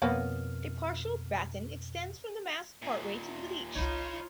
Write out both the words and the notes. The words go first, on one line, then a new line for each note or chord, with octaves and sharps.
A partial batten extends from the mast partway to the leech.
F2 B2 A#3 B3 C#4 F6
D#2 A#2
G1 C2 D#4 F4 C#5 B5